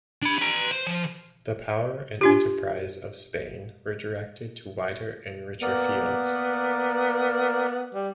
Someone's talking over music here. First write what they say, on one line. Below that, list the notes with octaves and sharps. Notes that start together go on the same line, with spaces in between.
The power and enterprise of Spain were directed to wider and richer fields.
D4 B5
B4 A#5
C5
F3
D4 F4 G4
A#3 B3 A#4 D5
G3